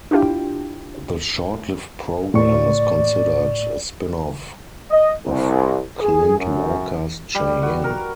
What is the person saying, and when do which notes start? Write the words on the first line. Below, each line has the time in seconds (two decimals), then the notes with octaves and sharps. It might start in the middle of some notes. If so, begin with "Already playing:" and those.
The short-lived program is considered a spin-off of Clint Walker's "Cheyenne".
0.11 D4 E4 F4 G4 G5
2.34 A2 D5 C#6
4.91 D#5
5.25 C2
6.02 G#4
6.38 F#2
7.35 G3
7.62 F#4
7.84 A#4